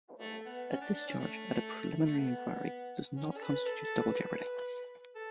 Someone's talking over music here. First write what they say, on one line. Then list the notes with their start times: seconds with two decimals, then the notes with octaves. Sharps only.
A discharge at a preliminary inquiry does not constitute double jeopardy.
0.20 A3
0.46 B3
0.70 C#4
0.82 D4
0.94 D4
1.07 C#4
1.20 A3
2.05 A3
2.19 B3
3.17 C#4
3.30 C#4
3.37 A4
3.42 B4
3.55 B4
3.66 A4
3.84 A4
4.00 B4
4.16 B4
5.15 A4